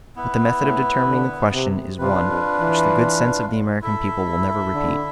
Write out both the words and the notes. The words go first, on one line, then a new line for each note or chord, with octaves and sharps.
But the method of determining the question is one which the good sense of the American people will never repeat.
B3 E4 B4
A2
D3
C3
C3 D4 F4 B4
F2
E3
E4 A4 E5
D3